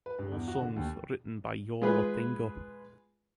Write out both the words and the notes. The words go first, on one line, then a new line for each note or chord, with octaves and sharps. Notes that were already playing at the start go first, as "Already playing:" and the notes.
All songs written by Yo La Tengo.
B4
G2
E2
F#4
D3
D#2
G#3 F4 G#4 B4